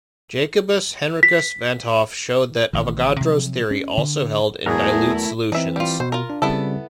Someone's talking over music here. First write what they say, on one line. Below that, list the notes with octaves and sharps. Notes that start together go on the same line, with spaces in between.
Jacobus Henricus van 't Hoff showed that Avogadro's theory also held in dilute solutions.
B6
A1 D#3
C3 F3 F#3
C#4
D3
E2 F#3 A3 B3 E4 G#4 A#4
E3 C4 D#4 E5
G3 F4
B2 C5
F4 A#4
D4
C#3 G3 B3 C4 E4 A4